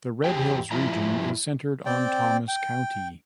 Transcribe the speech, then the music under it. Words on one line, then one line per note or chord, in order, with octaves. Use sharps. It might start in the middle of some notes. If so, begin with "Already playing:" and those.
The Red Hills Region is centered on Thomas County.
E2 C4 G4 G#4 G5
G2 F3 E4 A#5
C4 D5 G5
G5